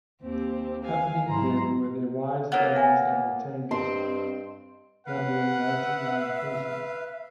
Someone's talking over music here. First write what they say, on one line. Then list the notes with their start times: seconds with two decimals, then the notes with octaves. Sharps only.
Accompanying them were their wives, families and retainers, numbering ninety-nine persons.
0.23 D#2 C4 G4
0.83 F5 G#5
1.27 G#2 F#3 E4 A#5 C6
2.52 A#3 B3 A#4 C#5 D#5
2.75 E5 F#5 G#5
3.71 G2 C4 D#5 C6 D7
5.06 B4 F5 F#5
5.66 E5